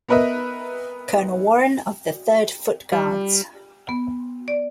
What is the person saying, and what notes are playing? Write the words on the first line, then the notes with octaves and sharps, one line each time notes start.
Colonel Warren of the Third Foot Guards.
B3 A#4 B4 D#5 E5
G3
B3
D5